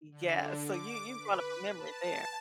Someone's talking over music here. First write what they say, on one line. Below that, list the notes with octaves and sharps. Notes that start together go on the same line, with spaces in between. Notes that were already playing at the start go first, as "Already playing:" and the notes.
Yeah, so you you brought up a memory there.
D3
D6
B4
A5